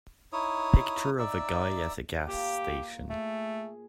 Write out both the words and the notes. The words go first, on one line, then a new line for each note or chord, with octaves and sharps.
Picture of a guy at a gas station.
D#4 E4 C#5 D#6
D#4 D5 E5 E6
A#2 G4
A3 G#4